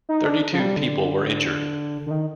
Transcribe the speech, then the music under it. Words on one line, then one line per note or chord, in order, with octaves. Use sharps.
Thirty-two people were injured.
D#4
D4
F3
G3
D3
D3
D#3